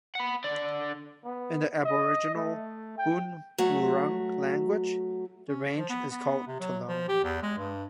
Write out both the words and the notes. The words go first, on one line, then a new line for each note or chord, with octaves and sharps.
In the Aboriginal Boonwurrung language, the range is called Tolone.
F#5 B5
D3 D5
B3
D#5
A3
G5
F#3 A3 F#4
C#4
F3
B3
B3
C3
F#3
F3
G4
E2
G#3
G2